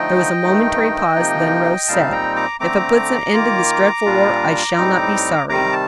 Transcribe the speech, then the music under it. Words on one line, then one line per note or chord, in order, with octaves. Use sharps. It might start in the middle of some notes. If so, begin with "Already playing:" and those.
There was a momentary pause: then Rose said, "If it puts an end to this dreadful war, I shall not be sorry."
Already playing: D3 F3 A3 D#4 D#5 G5
G2 D#3 A3 D#4
C3 F3 A#3 D#4
A#2 G3 C4 D#4 F5 A5
G5 A#5
A#5 D6
D3 A3 C4 A#5 D6
D#3 A#3 F4
A#2 G3 D4 F4
A2 G3 C4 D#4
C3 D#3 G3 A#5 D6
A5